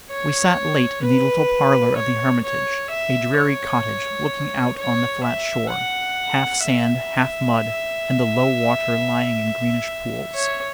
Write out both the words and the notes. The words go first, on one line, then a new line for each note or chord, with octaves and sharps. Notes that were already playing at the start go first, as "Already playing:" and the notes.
We sat late in the little parlour of the Hermitage; a dreary cottage, looking out on the flat shore, half sand, half mud, and the low water lying in greenish pools.
C#5
B4
C#5
C#5
E5
C#5
C#5
E5
F#5
E5
C#5